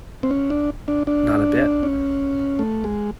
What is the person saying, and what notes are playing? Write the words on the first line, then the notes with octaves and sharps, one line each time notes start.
Not a bit.
C4
C#4
D4
D4
D4
C#4
A3
G#3